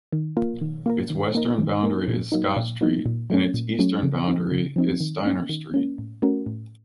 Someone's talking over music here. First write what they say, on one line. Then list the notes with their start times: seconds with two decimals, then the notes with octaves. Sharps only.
Its western boundary is Scott Street, and its eastern boundary is Steiner Street.
0.12 D#3
0.37 A#3 F4 A#4
0.61 D#3
0.86 A#3 F4 A#4
1.10 D#3
1.35 A#3 D#4 A#4
1.58 D#3
1.83 A#3 D#4 A#4
2.08 A#2
2.32 F#3 A#3 D#4
2.56 A#2
2.81 F#3 A#3 D#4
3.06 A#2
3.30 F#3 A3 C#4
3.54 A#2
3.79 F#3 A3 C#4
4.03 C#3
4.27 F3 C4 D#4
4.52 C#3
4.76 F3 C4 D#4
5.00 D#3
5.25 A#3 C#4
5.49 D#3
5.74 A#3 C#4
5.98 A2
6.22 A3 C#4 F#4 A#4
6.46 A2